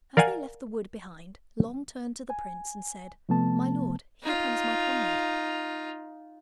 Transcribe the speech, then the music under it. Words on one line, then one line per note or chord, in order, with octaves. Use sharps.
As they left the wood behind, Long turned to the prince and said, 'My lord, here comes my comrade.
A#4 D5 F5 F#5 G#5
G#5
C3 F3 A3 B3 A5
D#4 F4